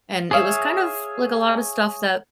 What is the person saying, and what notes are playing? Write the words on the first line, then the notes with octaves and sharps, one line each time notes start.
and it was kind of, like a lot of stuff that,
G#4 C#5 E5 F5 D#6